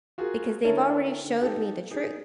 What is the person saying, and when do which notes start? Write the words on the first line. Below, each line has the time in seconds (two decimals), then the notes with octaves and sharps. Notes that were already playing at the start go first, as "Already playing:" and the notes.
because they've already showed me the truth.
0.18 F4 F#4 G#4 A#4
0.64 D3 C#4 E4 A4 A#4 C#5
1.24 D3
1.41 D#4 G4 A4
1.91 D#4 G#4